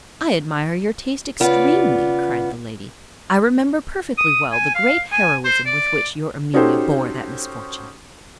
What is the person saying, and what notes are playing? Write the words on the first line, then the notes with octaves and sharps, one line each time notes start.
"I admire your taste extremely," cried the lady; "I remember perfectly well the great heroism with which your Amelia bore that misfortune."
C#3 B3 F4 D5
D#6
G#5
F5
G#5
C5
D5
C#4 D#4 F#4 G4 A4 C5